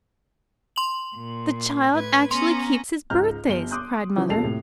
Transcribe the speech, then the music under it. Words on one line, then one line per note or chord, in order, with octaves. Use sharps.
"The child actually keeps his birthdays!" cried mother.
C6 F#7
A#2
A2 B4 G#6
B3 C#4 A#5 C6
C#2 G#2 A#5 F6 G6
G1 G7
C6 D6 D#6 F#6 G6
C#3 E3 F3 C#4
D#1 C#2 A4 A5 C7 F7
A2 C3